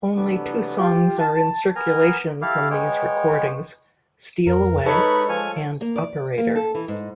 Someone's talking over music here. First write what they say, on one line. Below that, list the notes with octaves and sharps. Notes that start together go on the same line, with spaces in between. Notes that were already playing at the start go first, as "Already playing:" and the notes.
Only two songs are in circulation from these recordings: "Steal Away" and "Operator".
C3 E3 F#3 A3 B3 D4
F4 G4
A5
B3 A#4 G#5 A#5
E4 G4 A4 F5
G#3 B3 C#5 G5
F2 A#4
G#3 D#4 A4 B4 C#5 B5 C#6
F3 G#5 C#6 F6
A#3
D5
A#3
A4
E3
G#2